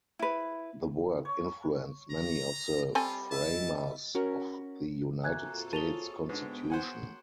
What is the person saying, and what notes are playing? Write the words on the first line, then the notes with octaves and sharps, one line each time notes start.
The work influenced many of the framers of the United States Constitution.
E4 B4
C#5
A#5
G3 C4 F4 A4 G#5
D#5 E5 A5
C#4 F#4 A#4
C3 A#3 F4 F#4 A4 G#5 F#6 G#6
G#4 C#5 A5 D#7 F7 G7
G#2 D3 B3 B4 G5
C5 F#5 G#5